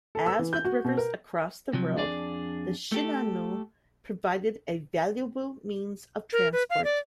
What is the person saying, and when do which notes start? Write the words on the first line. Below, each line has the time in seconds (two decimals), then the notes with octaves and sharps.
As with rivers across the world, the Shinano provided a valuable means of transport.
0.15 A4
0.26 E6
0.39 E3
0.53 G6
0.65 F#4
0.84 B2
0.97 A#4
1.73 C3 F3 F#3
1.97 F2 D4 G#4 D5
2.92 A3 G4 A4
6.33 A#4
6.53 B4
6.70 F5
6.84 D5